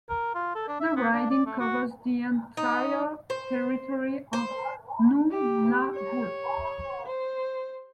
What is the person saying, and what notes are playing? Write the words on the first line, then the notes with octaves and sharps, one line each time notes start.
The riding covers the entire territory of Nunavut.
A#4
F4
A4
D4
E5
B3
D4
D5
A3
F#4
D#4
C5
C5
G4
C#5
C5